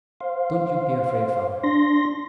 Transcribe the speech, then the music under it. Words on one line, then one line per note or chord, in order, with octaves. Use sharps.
'Don't you be afraid, father.'
C5 F5
D4 C6 A#6